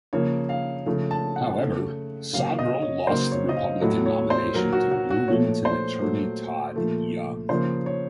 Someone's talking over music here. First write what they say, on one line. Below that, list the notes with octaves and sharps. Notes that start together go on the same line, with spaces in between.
However, Sodrel lost the Republican nomination to Bloomington attorney Todd Young.
C#3 F3 A#3 C#5
F5
C#3 F3 A3
A5
F#5
C#3 A3
C#3 F#3 A#3 F5
D#5
C#5
C#3 F#3 A#3 C5
C#5
D#5
F5
A2 F#3 A3
C#5
C5
A#2 F#3 A#3 A#4
F#4
F#4
F#4
A#2 F3 A3 C#5
C5
A#2 F#3 A3
A#2 F3 A3
C#3 F3 A#3 C5
C#5